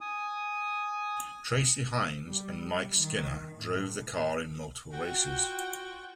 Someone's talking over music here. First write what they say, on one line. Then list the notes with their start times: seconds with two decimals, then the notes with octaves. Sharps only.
Tracy Hines and Mike Skinner drove the car in multiple races.
0.01 G#5 D#6
2.27 G3
2.60 G3
2.95 D#3
3.55 A2
4.93 F4 F#4 F#5 G5